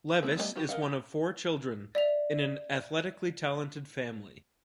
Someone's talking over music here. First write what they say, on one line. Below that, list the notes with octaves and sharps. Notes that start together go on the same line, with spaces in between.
Levis is one of four children in an athletically talented family.
G#3 A#3 C4 E4 A4
G3 A3 B3 D4 D#5
D#4 F#4 G4 B4
A#4 B4 D#5 F5 F#5
G4
D5 E5 F7